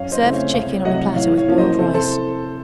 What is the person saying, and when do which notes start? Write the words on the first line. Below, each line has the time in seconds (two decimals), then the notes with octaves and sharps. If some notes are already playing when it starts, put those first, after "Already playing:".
Serve the chicken on a platter with boiled rice.
Already playing: F#2 C#5 F5
0.12 C5 D#5
0.22 C#3 A3 C4
0.33 C#5 F5
0.53 C2 C#5 F5
0.85 C3 F#3 A3 D#5 F#5
1.16 A2 C#5 F5
1.37 C#5 F5
1.48 F3 A#3 C#4
1.58 C5 D#5
1.79 C3 A4 C5
1.94 A4 C5